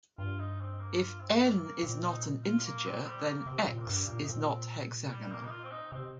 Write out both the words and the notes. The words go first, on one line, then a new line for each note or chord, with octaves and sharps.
If "n" is not an integer, then "x" is not hexagonal.
G2 F4
D#4
C4
A#3
F4
C4
A#3
A#3
A#2 C4
D#4
F4
A#3
C4
G3
A#3
C3 C4
A#2 C4
A#3
G2 G3
A#2 A#3
D#4
A#2 C4
G3
A#3
D#4
F4
C4
D#4
C3 C4